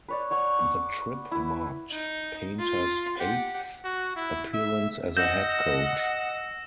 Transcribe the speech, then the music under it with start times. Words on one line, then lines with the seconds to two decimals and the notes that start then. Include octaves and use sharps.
The trip marked Painter's eighth appearance as a head coach.
0.08 B4 C#5 D5
0.31 C#5 F#5 C#6
0.59 D6
1.32 E4 B4
1.92 D#4
2.59 F4
3.18 G4 F#5
3.85 F#4
4.16 E4
4.54 E5
5.17 D#5 F#5 E6 G6 A#6 E7